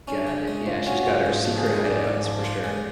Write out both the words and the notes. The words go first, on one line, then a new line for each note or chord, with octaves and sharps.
Got it. Yeah, she's got her secret hideouts for sure.
C#4 D4
C#3
G#3
C#2 F4
C#4 F#4
C#3 F4
G#2 F4
F3
G#4
G#3
G#2 D5
G#2
F3
F4
G#3